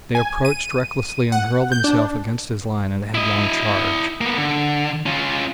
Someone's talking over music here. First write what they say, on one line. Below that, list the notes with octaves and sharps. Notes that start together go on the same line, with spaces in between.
They approached recklessly and hurled themselves against his line in a headlong charge.
G#5
D#7
F#5
G6
D4
E4 D#5
A#3 B3
D3
C#4 F4